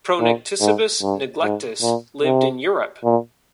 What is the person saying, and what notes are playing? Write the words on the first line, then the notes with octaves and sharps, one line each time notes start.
"Pronycticebus neglectus" lived in Europe.
A#2
G#2
G2
G#2
A#2
C3
A#2